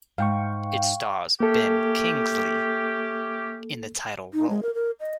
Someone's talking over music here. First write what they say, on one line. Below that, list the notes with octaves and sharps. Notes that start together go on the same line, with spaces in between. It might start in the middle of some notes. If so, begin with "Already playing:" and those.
It stars Ben Kingsley in the title role.
G#2 F5 G5 C#6
A3 A#3 C#4 G4 A4
D#4
G#3
A#4
A#4
D#5